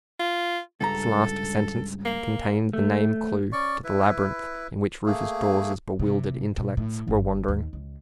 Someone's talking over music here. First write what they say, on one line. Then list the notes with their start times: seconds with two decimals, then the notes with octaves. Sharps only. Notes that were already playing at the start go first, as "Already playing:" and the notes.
This last sentence contained the name-clue to the labyrinth in which Rufus Dawes's bewildered intellects were wandering.
0.19 F4
0.81 C#2 G2 A4 A#5
2.05 A#3
2.73 A3
3.53 C#4 D5 C#6
3.84 E4 B4
5.06 A3 A#3 G#4
5.99 C3
6.58 B2
6.77 A2
7.08 G1
7.48 D#2
7.73 C#2